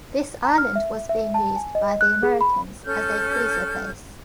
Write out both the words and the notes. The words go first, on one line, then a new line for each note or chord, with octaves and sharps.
This island was being used by the Americans as a cruiser base.
A#5
F6
E5
E5
A5
G#5
D#5
F#6
G#4
B5
C#4 A4 F6 G6